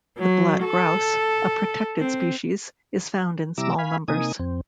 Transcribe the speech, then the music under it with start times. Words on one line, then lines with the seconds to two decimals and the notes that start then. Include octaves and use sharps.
The black grouse, a protected species, is found in small numbers.
0.17 F#3
0.64 A4
1.99 C4
3.58 C3 G3 E4 A#5 D6 E6
3.79 F5 G#5 B5
4.08 C3 A#3 D#4 G#5 D#6
4.39 F2 C4